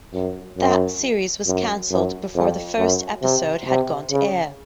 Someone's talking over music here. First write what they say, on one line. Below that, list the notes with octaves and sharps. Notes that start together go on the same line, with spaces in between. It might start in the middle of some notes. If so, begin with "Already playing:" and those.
That series was cancelled before the first episode had gone to air.
F#2
F#2
F#2
F#2
F2
F#2
C3
C3
C#3